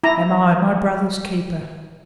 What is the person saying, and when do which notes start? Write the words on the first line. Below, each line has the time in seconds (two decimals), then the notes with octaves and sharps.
"Am I my brother's keeper?"
0.04 E4 A#5